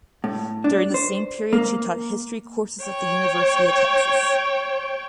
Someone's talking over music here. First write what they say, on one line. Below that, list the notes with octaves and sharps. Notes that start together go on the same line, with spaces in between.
During the same period she taught history courses at the University of Texas.
A2
D4
C5
A#3
C#5 G5